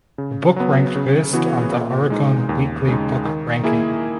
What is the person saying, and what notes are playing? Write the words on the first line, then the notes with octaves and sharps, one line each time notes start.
The book ranked first on the Oricon weekly book ranking.
C#3
F#3 B3
C#3
E3 B3 F#4
A#2
G#3 D#4
D#2
C#3 G#3 D#4
D#3
A#3 E4 G#4